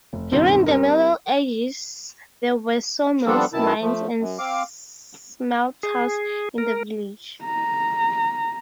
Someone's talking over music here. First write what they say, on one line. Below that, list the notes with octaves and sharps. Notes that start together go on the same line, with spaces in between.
During the Middle Ages there were sawmills, mines and smelters in the village.
F1
C#2 G2 B2 D#3 C4
G3 C4 A#4
F3 G3 B3 C4 D4 A4
F#2 B2 D#3 E4 A5
F3 A3
F#2
C4 F5 D6
G#4
A#4
A#5